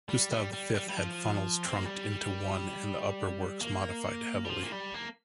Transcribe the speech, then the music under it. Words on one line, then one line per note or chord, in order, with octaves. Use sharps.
Gustav V had funnels trunked into one and the upper works modified heavily.
G3
G3
G3
G3
G3
F3
C4
A#3
G3
A#3
G3
F3
A#3
G3
A#3